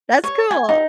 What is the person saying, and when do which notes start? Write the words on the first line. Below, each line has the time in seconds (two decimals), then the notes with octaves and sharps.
That's cool.
0.24 C#5
0.51 G#5
0.69 D#4